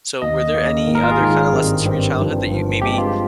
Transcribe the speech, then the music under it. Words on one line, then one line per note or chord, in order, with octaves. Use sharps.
So, were there any other kinda lessons from your childhood that you maybe
D#2 D#3 A#3 D#5
D#2 D#3 A#3
G#1 G#2 D#3
A#4
F4
G#4
G#1 G#2 D#3
G#1 G2 D#3 G3 C4
G#1 G2 D#3 G3 C4
G1 G2 F3
G1 G2 F3
G2 F3 G#3 C4 G4
F4